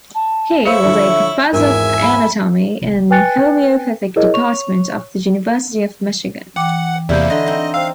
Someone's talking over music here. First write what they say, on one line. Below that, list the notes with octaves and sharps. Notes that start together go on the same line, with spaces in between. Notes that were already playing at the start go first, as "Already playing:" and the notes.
He was a Professor of Anatomy in homoeopathic department of the University of Michigan.
A5
E4 C5 C#5 F5 E6 C#7
D3 F3 E5
G#1 E2 A#4 E5 G#5
B5
B4 G5 G#5 F#6 A6 C#7
E4 G#4 A#4 C#5 D#5
C#5 C#6 F7
E3 F#5 G5 D6
E2 C3 A#3 E4 D5 G6
D3 D#5 A#5 C6
C4 D#4
C5 F5 G5 E6